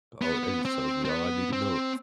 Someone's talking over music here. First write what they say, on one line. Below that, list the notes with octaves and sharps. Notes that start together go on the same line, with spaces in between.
Oh, that just tells me all I need to know.
B3
C4
C4
B3
C4